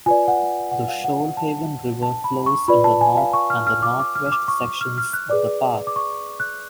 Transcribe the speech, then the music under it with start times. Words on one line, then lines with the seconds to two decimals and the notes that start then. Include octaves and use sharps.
The Shoalhaven River flows in the north and northwest sections of the park.
0.06 F4 B4 D5 G#5
0.28 F#5
0.71 F#5
0.88 F5
1.04 F#5
1.20 F#5
1.37 A5
2.02 A5
2.24 B5
2.46 C#6
2.68 F4 B4 D5 B5
2.84 A5
3.01 G#5
3.17 F5
3.33 C#6
3.50 F6
3.67 F6
3.83 D6
3.99 D6
4.15 F6
4.26 F6
4.32 D6
4.48 C#6
4.81 F6
4.98 F6
5.13 F#6
5.30 G#4 B4 D5 D6
5.87 D6
5.96 C#6
6.40 F#6